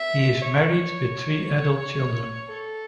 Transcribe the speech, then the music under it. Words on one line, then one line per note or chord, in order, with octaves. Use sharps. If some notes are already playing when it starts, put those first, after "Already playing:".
He is married with three adult children.
Already playing: E5
C#5
C#5
A4